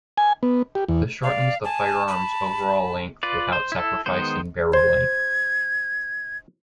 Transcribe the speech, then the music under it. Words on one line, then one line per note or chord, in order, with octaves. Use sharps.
This shortens the firearm's overall length without sacrificing barrel length.
G#5
B3
G4
E2
D5 F5
G#5 A5
B5
F4 B4 D5
C5
E4 A4
D#3 G#3 B3 C5
C5 G#6